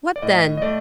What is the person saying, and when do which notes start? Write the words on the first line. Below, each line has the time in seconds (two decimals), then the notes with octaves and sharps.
What then?
0.16 D5
0.22 A2 D#5
0.57 D#5
0.62 A3 D5